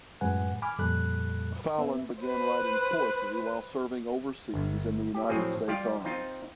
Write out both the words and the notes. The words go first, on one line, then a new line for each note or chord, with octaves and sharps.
Fallon began writing poetry while serving overseas in the United States Army.
F#2 A2 G#3 B4 F#5 G#5
G#5 B5 D6 F6
F2 A#2 G3 A4 B5 F#6
B3 B4 E5
B4 C5
G1
G4
A2 F3 F#3 C4 G#4
G3 F4 G4 D5
C4 D#4 F4